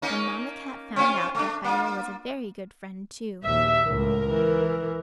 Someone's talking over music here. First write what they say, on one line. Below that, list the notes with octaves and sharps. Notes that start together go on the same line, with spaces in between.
And Mamma Cat found out that Fido was a very good friend, too.
A#3 C#4 D#4
C4 C#4 F4
A3 D4
A#3 F4
A#1 D#2 E5
C#2 A2 A#4
E3